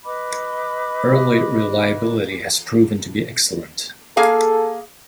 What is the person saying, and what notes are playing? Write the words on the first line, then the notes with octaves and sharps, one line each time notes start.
Early reliability has proven to be excellent.
B4 D#5 B5 D6
A#3 G#4 A4 F5